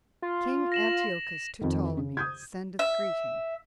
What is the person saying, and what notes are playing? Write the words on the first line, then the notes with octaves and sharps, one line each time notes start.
King Antiochus To Ptolemy, Sendeth Greeting.
F4
A#6 E7 F#7
F2 D#3
C#3
D#6 G6 G#6
E5